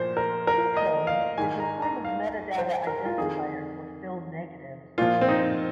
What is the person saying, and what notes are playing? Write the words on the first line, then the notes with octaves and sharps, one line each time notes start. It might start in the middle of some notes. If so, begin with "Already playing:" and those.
Keykode is a form of metadata identifier for film negatives.
Already playing: A#2 F3 C5
A#4
A#4
D#5
F5
G#2 D#3 G#5
A#5
A#5
F5
C5
A#4
F4
F2 D#3 G#4
A#2 F3 F4
C4
D#4